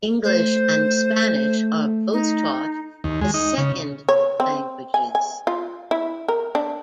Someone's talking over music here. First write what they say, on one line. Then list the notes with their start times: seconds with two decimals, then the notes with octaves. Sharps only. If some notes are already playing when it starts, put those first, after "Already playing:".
English and Spanish are both taught as second languages.
0.24 A3 C5
2.13 D#4
3.04 D#2
3.21 G#3
3.34 D#4
3.58 C#3
4.09 C#5
4.40 C4
4.94 G#5
5.15 G#5
5.47 F4
5.91 E4
6.28 A#4
6.55 D4